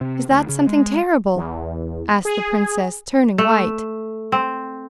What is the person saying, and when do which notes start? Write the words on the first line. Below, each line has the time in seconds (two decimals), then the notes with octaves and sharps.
"Is that something terrible?" asked the princess, turning white.
0.01 C3
0.30 D2
0.49 C#3
0.67 G#3
1.36 E2
2.25 G#4
3.38 A3
4.32 C4